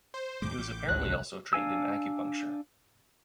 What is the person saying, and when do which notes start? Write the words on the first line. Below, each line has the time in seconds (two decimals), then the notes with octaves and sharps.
He was apparently also trained in acupuncture.
0.14 C5
0.42 D#2 A2 G#3 D6 G6
0.57 A1
0.88 A1 D2 D#3 F#6
1.05 C2
1.53 D4 F5 G#5 E6